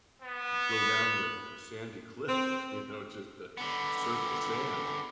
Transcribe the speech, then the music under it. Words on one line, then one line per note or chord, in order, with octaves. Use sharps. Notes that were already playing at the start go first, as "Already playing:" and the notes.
go down the the sandy cliffs, you know, just to surf the sand.
B3
C4
D3 B3